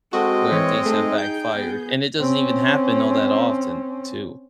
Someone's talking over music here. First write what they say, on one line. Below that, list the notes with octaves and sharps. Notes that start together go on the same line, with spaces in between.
where things have backfired, and it doesn't even happen all that often too.
G#3 C4 F#4 A4 D#5
E3 C#5
A3 D#4 G#4
G5 G6
B3 G#4
C4 C#4